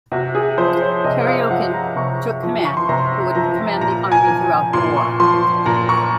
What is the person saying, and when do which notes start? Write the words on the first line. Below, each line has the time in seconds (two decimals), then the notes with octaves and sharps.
Teryokhin took command, who would command the Army throughout the war.
0.12 C3 F#4
0.35 G#4
0.58 F3 C5
0.81 C#5
1.04 C3 D#5
1.27 F5
1.50 F3 F#5
1.73 A#5
1.96 C3 C#6
2.43 F3
2.65 C#6
2.77 C6
2.89 C3 A#5
3.35 F3 A#5
3.81 A#2 A#5
4.12 G#5
4.27 F3
4.73 A#2 C6
4.97 C#6
5.20 F3 C6
5.66 A#2 A#5
5.89 C#6